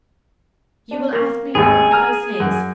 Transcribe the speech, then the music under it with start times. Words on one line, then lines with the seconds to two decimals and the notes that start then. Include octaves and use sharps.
You will ask me who the person is.
0.91 D4
1.13 A#3
1.55 G#1 D#2 G#4
1.91 G#5 A#5 F6
2.40 F#2